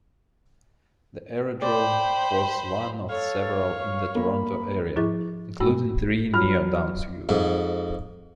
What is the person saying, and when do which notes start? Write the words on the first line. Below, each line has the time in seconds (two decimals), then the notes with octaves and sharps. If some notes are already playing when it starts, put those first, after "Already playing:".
The aerodrome was one of several in the Toronto area, including three near Downsview.
1.62 C5 D5 G5 B5
3.09 A4 C#5 F5
3.78 C#6
4.15 A#3 B5
4.96 G#2 F3 E4 G#4 C#6 A6
5.60 G2 G#3 A3 F#4 B5 E6
6.34 F#3 F4 F6
7.29 F2 G#2